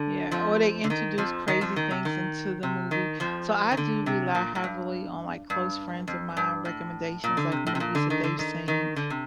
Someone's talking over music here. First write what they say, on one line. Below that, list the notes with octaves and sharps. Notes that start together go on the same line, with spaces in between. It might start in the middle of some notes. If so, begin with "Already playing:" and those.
Yeah, or they introduce crazy things into the movie so I do rely heavily on my close friends of mine recommendations, like movies that they've seen.
Already playing: D3
F2 F3
D3
D#3
F2 F3
D#3
F2 F3
D#3
C3
D#3
C3
D#3
F2 F3
D#3
D3
C3
A#2
A2
G2
G2
F2
G2
A2
A#2
D3
C3
A2
C3
A#2
D3
D#3
D3
D#3
D#3
D3
C3